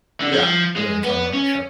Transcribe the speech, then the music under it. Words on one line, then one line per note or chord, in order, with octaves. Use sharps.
Yeah, I know what you're talking about, yep.
D3
F3
G#3
B3
C#4